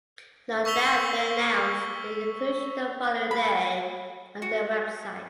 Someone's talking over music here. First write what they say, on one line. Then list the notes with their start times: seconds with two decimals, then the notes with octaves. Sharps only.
No Doubt then announced their inclusion the following day on their website.
0.65 C#6 E6 B6 F7 G7
3.31 B5
4.42 F#4